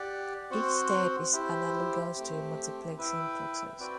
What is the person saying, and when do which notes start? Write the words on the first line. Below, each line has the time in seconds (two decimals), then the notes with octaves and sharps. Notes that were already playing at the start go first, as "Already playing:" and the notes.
Each step is analogous to a multiplexing process.
Already playing: G4 D5 F#5
0.50 C4 F#4 C5 F#5
1.32 E4 G4 C5
2.15 A3 C4 G4
2.97 E4 B4 E5 G5
3.79 C4 F#4 B4 D5 G5